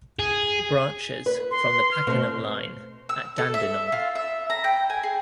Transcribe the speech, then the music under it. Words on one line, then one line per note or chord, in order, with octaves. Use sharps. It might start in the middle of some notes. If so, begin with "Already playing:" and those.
Branches from the Pakenham line at Dandenong.
G#4
B4
C6
F6
B2 A3 C4
E6
A4
E5
F4
E5
A#5
G5
G#5
G#4